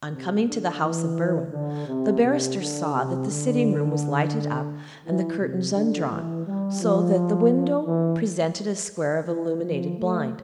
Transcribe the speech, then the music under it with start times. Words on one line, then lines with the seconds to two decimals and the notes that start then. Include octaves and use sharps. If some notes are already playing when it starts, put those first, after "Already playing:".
On coming to the house of Berwin, the barrister saw that the sitting-room was lighted up and the curtains undrawn, so that the window presented a square of illuminated blind.
0.11 C3
0.47 D3
0.82 E3
1.52 D3
1.87 C3
2.23 C3
2.57 D3
2.93 C3
3.29 D3
5.05 E3
5.40 C3
5.75 D3
6.10 E3
6.46 G3
6.81 F3
7.86 E3
9.28 E3
9.63 F3
9.98 A3